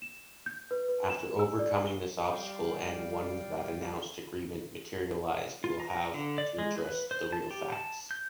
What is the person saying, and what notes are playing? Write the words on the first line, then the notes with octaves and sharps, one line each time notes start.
After overcoming this obstacle and one the announced agreement materializes, will have to address the real facts.
E7
G6
B4
B4
E7
E6
D5
G7
G3 D5 F5 G5
F4
A#5
D3
D5
G#3
B4
C5
A5
G4
A5
G6